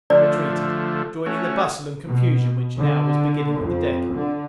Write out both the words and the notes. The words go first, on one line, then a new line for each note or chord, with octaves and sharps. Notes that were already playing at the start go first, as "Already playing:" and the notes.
He retreated, joining the bustle and confusion which now was beginning on the deck.
D3 F3 A3 D5
A3 C#4 F#4
B2
D3
F2
D3